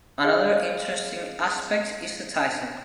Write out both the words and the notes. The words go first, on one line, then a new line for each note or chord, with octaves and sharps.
Another interesting aspect is the title.
G#4 D#5 F5 F6